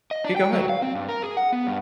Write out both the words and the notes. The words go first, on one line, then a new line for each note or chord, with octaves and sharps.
kay, go ahead.
D#5
D4
G5
F#3
F5
C4
G2
A#4
G#4
F#5
B3
G2